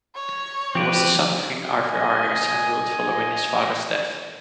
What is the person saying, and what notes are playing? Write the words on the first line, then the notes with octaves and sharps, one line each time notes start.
He was the son of King Arvirargus and ruled following his father's death.
C#5
F3 C4 G4 B4
D#5 G#5